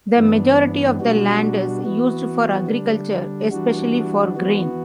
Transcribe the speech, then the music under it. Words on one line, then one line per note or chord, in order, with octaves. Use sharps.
The majority of the land is used for agriculture, especially for grain.
G2 E3 B3 D4
B2 G3 D4 F#4
E3 B3 F#4
D3 G3 D4
E3 G3 D4 F#4
E3 B3 F#4